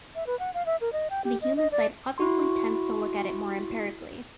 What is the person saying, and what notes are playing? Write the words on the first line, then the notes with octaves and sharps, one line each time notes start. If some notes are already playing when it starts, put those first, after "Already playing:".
The human side obviously tends to look at it more empirically.
E5
B4
F#5
F5
E5
A#4
D#5
G5
G4
D#5
D#5
D5
E4 F#4 C6